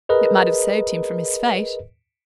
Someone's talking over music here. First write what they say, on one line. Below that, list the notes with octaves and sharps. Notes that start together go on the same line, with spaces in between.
"It might have saved him from his fate."
G#4 A#4 B4 D#5